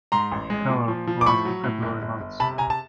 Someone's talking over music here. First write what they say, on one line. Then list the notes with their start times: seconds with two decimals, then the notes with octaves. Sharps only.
Feller runs the February months.
0.12 G#2 A#5 C6
0.32 A1
0.50 G#3
0.69 A#2
0.88 F3
1.07 F3
1.21 D6
1.26 A2 B5 C#6
1.45 F#3
1.64 A2
1.82 G1
2.02 G1
2.21 G1
2.40 C3 A5 B5
2.58 C3 G#5 A#5
2.70 A5